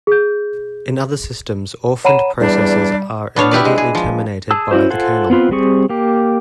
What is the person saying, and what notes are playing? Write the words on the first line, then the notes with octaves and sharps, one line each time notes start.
In other systems orphaned processes are immediately terminated by the kernel.
G#4 G6
C#5 F#5 A#5 B5 D#7 E7
E2 G3 D4
B3 D4 C#5 F5
E4 G4 B4 D5
G#3
G#4
F3
G#4 A5 E6
C#4 E4 F#4 G4 C5
F4 A4 C5 F#5 G#5
B3 C4 F4 B4
G3 C4 G#4 C#6
A#3 G4